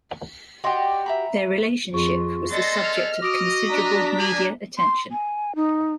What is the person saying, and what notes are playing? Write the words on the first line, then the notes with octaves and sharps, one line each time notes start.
Their relationship was the subject of considerable media attention.
F#4 G4 D5 D#5 C6
E5 A#5 B5
F2 F4 G#4 C#6
B3 G#4 A4 D5 D#5 C6 A6 A#6
F6
F#4 D#5 D6 D#6 D7
D4 A#5 B6
A#3 G#4 G#5
C6
G#5
D#4